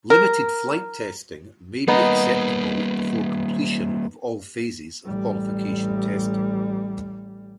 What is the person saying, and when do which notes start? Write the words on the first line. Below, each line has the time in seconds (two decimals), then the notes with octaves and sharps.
Limited flight testing may be acceptable before completion of all phases of Qualification Testing.
0.10 A#4
1.88 G3 A#3 B3 D#4
5.05 A1 G3